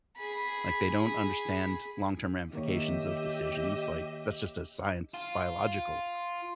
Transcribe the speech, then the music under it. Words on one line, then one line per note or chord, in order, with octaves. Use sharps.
like, they don't understand long-term ramifications of decisions, like, that's just a science biological
G#4 B5
D#3 A#3 G4 C#5 D#5 E5
F4